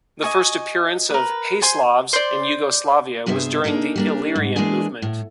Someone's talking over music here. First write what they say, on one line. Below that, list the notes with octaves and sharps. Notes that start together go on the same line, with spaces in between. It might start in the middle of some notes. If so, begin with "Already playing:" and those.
The first appearance of "Hey, Slavs" in Yugoslavia was during the Illyrian movement.
D#5 G#5 C#6
A#4 B4
C5 G#5 C6
C5 D5
G2 C3 B3 G#4 C5 E5
A#3 D4 D#4 G#4 A4
G3 A#3 D4
G#2
E3 G#3 A#3 D4 G#4
A2